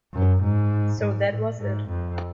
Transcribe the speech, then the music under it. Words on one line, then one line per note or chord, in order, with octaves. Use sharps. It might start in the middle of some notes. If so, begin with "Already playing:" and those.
So that was it.
F#2
G#2
G#2
A2
G#2
F2